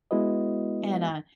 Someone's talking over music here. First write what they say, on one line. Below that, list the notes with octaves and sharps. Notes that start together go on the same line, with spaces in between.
And, uh,
G#3 B3 E4 F#4 B4 D#5